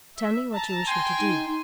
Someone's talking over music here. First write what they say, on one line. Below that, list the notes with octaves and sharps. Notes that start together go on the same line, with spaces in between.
Tell me what you wish me to do.
E5
A5 A#5
G5 G#5 C6
D#4